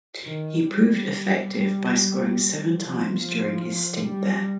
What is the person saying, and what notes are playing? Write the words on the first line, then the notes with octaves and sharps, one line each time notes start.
He proved effective by scoring seven times during his stint there.
D#3
G3
G3
F3
F3
G3